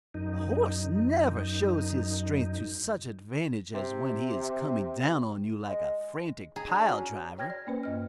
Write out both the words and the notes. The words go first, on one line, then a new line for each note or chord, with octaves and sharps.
A horse never shows his strength to such advantage as when he is coming down on you like a frantic pile-driver.
F#2 D#4
C3
G#3
G#4 A#5
D4
C#4 F#4
C#5 G5 F6 G#6 A#6
D5
A#3 C#4 B4 C5
G2 D#5 F6